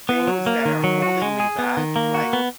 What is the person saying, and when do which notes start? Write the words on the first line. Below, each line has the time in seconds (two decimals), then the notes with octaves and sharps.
things that are holding me back, like,
0.09 B3
0.27 F#3
0.46 A#3
0.65 D#3
0.84 F#3
1.02 F#4
1.22 G#3
1.40 G#4
1.58 B3
1.77 D#3
1.96 A#3
2.14 F#4
2.33 B3